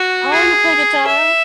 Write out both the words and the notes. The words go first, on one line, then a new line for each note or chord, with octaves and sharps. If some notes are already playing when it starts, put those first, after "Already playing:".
Oh, you play guitar?
Already playing: F#4
G#4
E5